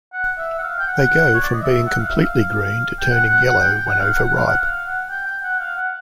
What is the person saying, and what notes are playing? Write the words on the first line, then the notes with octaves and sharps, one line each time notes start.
They go from being completely green to turning yellow when overripe.
F#5
E5
F#5
F5
G5
F#5
C#5
D5
D#5
E5
F#5
F5
E5
F5
G5
F#5
F#5
F#5
G5
G5
F#5
F5
F#5
F#5
F5
F#5
F5
F#5
G5
G5
F#5
F5
F#5